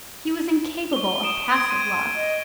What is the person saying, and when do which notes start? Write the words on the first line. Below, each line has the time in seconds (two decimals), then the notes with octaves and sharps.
He was incapable of passive love.
0.93 C#6 G7
1.23 D#6 D7 E7
1.52 G#6 D7
1.68 C6 G#6 D#7
2.15 D#5